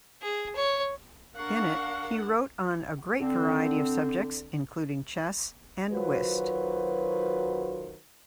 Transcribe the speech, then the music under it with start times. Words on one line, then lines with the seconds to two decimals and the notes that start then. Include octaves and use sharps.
In it he wrote on a great variety of subjects, including chess and whist.
0.22 G#4
0.55 C#5
1.35 D4 A#4 F5 F#5 C#6
3.21 D3 C4
5.92 D#3 F#3 F4 F#4 B4 C5